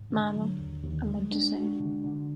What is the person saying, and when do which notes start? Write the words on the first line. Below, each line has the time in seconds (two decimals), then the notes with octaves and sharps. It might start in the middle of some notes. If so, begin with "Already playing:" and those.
Mama, I Want to Sing!
Already playing: G#2
0.10 D3
0.35 F#3
0.59 D#2
0.83 D#2
1.07 G#3
1.31 D4
1.55 F#4
1.80 D3
2.04 D3